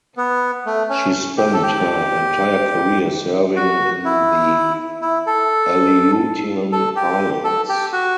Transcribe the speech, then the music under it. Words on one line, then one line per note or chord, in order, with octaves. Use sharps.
She spent her entire career serving in the Aleutian Islands.
B3
A3
C#4
G4
A4
G4
F#4
E4
E4
A4
A4
G4
A4
G4
F#4